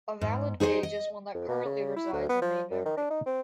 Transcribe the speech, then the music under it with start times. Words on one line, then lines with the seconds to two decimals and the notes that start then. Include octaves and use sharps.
A valid page is one that currently resides in main memory.
0.21 G#2
0.60 D#4 G#4 C5 C#5 D#5
0.83 D#5
1.34 F2
1.48 B2
1.65 C#3
1.96 E4
2.13 D2
2.29 B3
2.42 F3
2.71 F#2
2.85 D#3
2.97 D4
3.10 D#4
3.26 C4